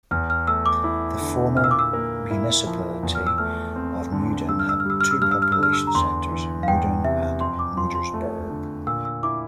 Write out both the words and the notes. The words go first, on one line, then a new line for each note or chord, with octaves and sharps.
The former municipality of Muiden had two population centers: Muiden and Muiderberg.
E2 F6
F6
A3 E6
D6
E4
D3
A#2 F6
E6
D6
E6
A#3
E4
F3
E2
F6
E6
A3 F6
C4
D3
G2 E6
F6
E6
F6
G3 E6
F6
E6
G2 F6
E6
F6
E6
D3 F6
E6
A#5
E2 C6
E3
F5
E2 G5
C3 E5
F2 C6
D6
F3 C6
C6
A3
D3
A#2 E6
E6
E4 D6